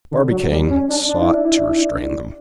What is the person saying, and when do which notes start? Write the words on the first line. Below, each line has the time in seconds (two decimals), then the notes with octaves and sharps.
Barbicane sought to restrain them.
0.11 D3
0.30 F#3
0.51 G3
0.70 C#4
0.89 D4
1.09 D4
1.21 E4
1.34 D4
1.45 E4
1.58 D4
1.69 E4
1.82 D4